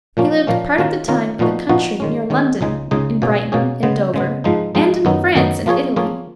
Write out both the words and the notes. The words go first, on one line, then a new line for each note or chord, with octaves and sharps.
He lived part of the time in the country near London, in Brighton, in Dover, and in France and Italy.
A#2 F3 A#3 C#4
A#2 F3 A#3 C#4
D#3 A#3 C#4 F4 A#4
D#3 A#3 C#4 F4 A#4
A#2 F3 B3 D#4 F#4
A#2 F3 B3 D#4 F#4
D#3 G#3 C#4
D#3 G#3 C#4
C#2 C#3 G#3 D#4 G#4
C#2 C#3 G#3 D#4 G#4
B2 A#3 C#4 G#4
B2 A#3 C#4 G#4
C#3 G#3 B3
C#3 G#3 B3
G#2 F3 G#3 D#4
G#2 F3 G#3 D#4
F#2 D#3 F#3 B3 D#4
F#2 D#3 F#3 B3 D#4
F3 A#3 F4 G#4 C#5
F3 A#3 F4 G#4 C#5